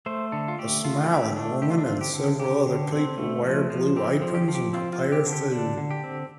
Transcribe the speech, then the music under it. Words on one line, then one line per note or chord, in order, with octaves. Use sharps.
A smiling woman and several other people wear blue aprons and prepare food.
A3 C5
D3 A4
F4
A3 G4
D3 F4
F4
A3 G4
A3 D4
D3 G4
F4
D4
C4 F4
G4
D3
D3 G4
D3
C4
A3
F3
F3
C4 G4
F3
G4
F3
G4
C4 F4
F4
C4
G4
D3
G4
D3 D4
D3
G4
C4